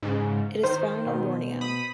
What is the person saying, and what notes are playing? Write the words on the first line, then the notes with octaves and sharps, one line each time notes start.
It is found on Borneo.
G#2 C#3
D#3 C5
B2
B5 D#6